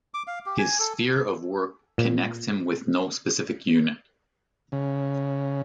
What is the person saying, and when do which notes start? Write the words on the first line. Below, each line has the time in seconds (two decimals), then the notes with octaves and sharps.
His sphere of work connects him with no specific unit.
0.14 D6
0.27 F5
0.46 G4
0.58 G#5
0.79 A4
1.98 A#2
4.72 C#3